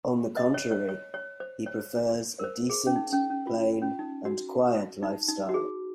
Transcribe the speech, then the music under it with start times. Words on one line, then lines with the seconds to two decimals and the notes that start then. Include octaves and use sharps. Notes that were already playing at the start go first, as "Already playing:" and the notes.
On the contrary, he prefers a decent, plain and quiet lifestyle.
0.37 D#5
0.54 C#5
0.71 C#5
0.89 C#5
1.14 C#5
1.40 C5
1.66 C#5
2.39 A#4
2.44 C5
2.70 G#4
2.87 C#4
2.96 D#4
3.13 C#4
3.30 C#4
3.47 F4
3.82 C#4
3.99 D#4
4.25 F#4
5.03 D#4
5.28 D#4
5.49 F#4
5.54 G#4